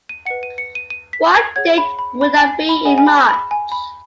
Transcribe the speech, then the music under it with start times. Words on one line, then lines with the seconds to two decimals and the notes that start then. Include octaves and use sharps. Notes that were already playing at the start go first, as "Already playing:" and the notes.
What date would that be in March?
0.09 D#7
0.25 B4 D#5 F#5 C#7
0.43 D#7
0.58 C#7
0.75 D#7
0.90 D#7
1.13 B6
1.34 G#6
1.56 G#4 C#5 F#5 G#6
1.78 B5
1.99 B5
2.21 B5
2.37 G#5
2.69 B5
2.85 G#4 D#5 F#5 G#5
2.98 G#5
3.07 B5
3.29 B5
3.51 G#5
3.72 B5